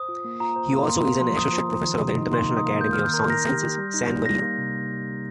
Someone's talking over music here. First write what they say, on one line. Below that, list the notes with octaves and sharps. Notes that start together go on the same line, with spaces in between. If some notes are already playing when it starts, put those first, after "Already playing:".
He also is an associate professor of the International Academy of Sciences San Marino.
Already playing: C5 D#6
F4
A#3
F4 A#5
C5
A#3
A#3 C6
A#3 C6
F3 C6
F3 D#6
F3
F3
D#3
C3
D#4
A#3 C6
D#4
D#6
A#3
A#4 G6
D#3 F6
G6
A#4
A#4 A#6
G4
G4
G3
D#4
G3
A#3 A#6
A#3
C3